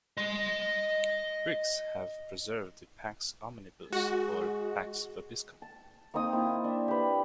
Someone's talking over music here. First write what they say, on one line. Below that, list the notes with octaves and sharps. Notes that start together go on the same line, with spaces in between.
Greeks have preserved the "Pax omnibus" or "Pax vobiscum".
D#5 C6
G#3 F#4
A5
A#3 C4 D#4 D#6
A#3 C4 E4 F4
D4 E5
G4 B4